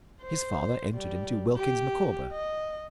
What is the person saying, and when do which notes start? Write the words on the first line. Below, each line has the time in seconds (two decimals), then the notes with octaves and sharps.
His father entered into Wilkins Micawber.
0.22 C5
0.94 G3
1.57 G4
2.32 D#5